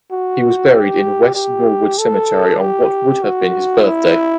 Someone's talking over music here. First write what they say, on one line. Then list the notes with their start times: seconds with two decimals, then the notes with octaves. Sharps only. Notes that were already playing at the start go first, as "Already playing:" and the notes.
He was buried in West Norwood Cemetery on what would have been his birthday.
0.11 F#4
0.74 G4
1.35 G4
1.99 A4
2.60 G4
3.23 F#4
3.85 E4